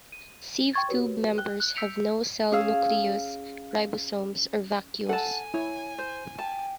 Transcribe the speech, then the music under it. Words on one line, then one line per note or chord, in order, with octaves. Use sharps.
Sieve tube members have no cell nucleus, ribosomes, or vacuoles.
D#7
G5 C6 C#6 G#6 A6
F#4 G4 A#4 B4 C#5
G5 F#6 G7
F#6
E6 G6 B6 C#7 D7 F7
C#4 G#4 F5 E6
A4 F#5 G#5 A5
E4 C#5
C5
G5 A5